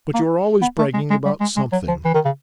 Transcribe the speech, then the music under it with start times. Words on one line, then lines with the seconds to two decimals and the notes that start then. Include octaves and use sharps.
'But you're always bragging about something.
0.14 A#3
0.62 B3
0.79 A3
0.94 G#3
1.10 G#3
1.25 G3
1.41 G#3
1.56 G#3
1.72 F#3
1.88 F3
2.05 E3
2.14 D#3
2.25 C#3